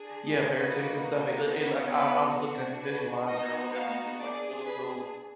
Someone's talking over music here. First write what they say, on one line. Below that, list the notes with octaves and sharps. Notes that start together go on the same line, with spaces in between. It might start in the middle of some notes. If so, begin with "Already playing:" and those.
Yeah, Beartooth and stuff, it l it, like, I I was looking at the visualizer or whatever, and it looks like a really cool,
Already playing: D4 G#4
A#3 D#4 F#4 B4
B3 D#4 F#4
B4
D4 F#4
B4
B3 D#4 F#4 D#5
F5
D4 G#4 D5
B4